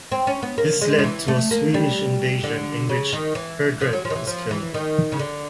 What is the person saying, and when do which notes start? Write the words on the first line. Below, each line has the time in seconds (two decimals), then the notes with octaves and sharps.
This led to a Swedish invasion in which Heardred was killed.
0.12 C4
0.27 C#4
0.43 B3
0.58 A#3
0.81 G#3
0.99 F3
1.04 E3
1.28 A3
1.51 A#3
1.74 G3
2.43 D3
2.89 C#3
3.13 D#3
3.35 E3
3.81 F3
3.93 F#3
4.05 F3
4.10 D#3
4.15 E3
4.27 F3
4.51 E3
4.74 D#3
5.12 C#3
5.19 D3